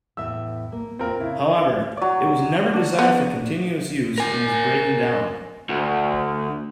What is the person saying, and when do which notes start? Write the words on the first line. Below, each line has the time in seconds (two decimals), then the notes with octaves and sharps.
However, it was never designed for continuous use and is breaking down.
0.17 E2 A2 E5 E6
0.72 A#3
0.99 E2 C4 F4 A#4
1.20 C#3 E4
1.97 F#3 D5
2.73 D4
2.99 B3
4.18 A#4 G#5
5.69 D2